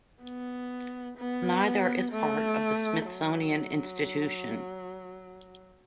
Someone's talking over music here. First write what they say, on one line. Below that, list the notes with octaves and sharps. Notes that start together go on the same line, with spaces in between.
Neither is part of the Smithsonian Institution.
B3
B3
A3
F#3